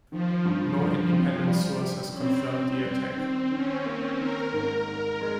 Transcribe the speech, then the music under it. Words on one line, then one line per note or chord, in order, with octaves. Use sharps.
No independent source has confirmed the attack.
D#3 F3
G2
G2
C4
G3
G4
C4 C#4
G4
G3
D#3
D#3 C#4
A#3
D#3 A#4
G#2
G#2
G#3